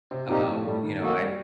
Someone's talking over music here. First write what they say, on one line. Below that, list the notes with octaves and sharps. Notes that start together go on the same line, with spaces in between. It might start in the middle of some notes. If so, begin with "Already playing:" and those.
um, you know, I
C3 C4
A#2 A#3 C4 D#4 G4
A2 A3
A2 G3 A3
D#3
F#3 A#3 F#4 A4
G3